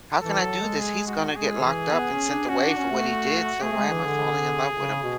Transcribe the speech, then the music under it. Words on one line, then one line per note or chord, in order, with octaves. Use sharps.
how can I do this? He's gonna get locked up and sent away for what he did, so why am I falling in love with him?"
E3 A4
F#3
G#3
G#4
F#4
G#3 G#4
D3
E3
B3
C#4
D4
C#4 F#4
D4
C#4
A3
A3 G#4
A3
G#3
E3
D3
C#3
B2